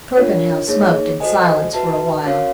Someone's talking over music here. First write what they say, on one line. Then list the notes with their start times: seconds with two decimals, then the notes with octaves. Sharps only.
Torpenhow smoked in silence for a while.
0.16 D4 F4 A#4 C#5
0.68 A#3 D#4 G#4 C#5
1.20 F#4 A4 C5 D#5 G#5
1.73 F#4 B4 E5 A5
2.25 C#4 F#4 A#4 C#5 F5